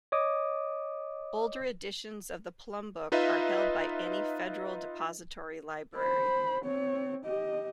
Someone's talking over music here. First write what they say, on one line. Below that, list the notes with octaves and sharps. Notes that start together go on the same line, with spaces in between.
Older editions of the Plum Book are held by any Federal depository library.
C#5 D#5 D6 D#6
D#4 F4 B4 D#5 E5
C5 B5
C4 C#5
G4 D#5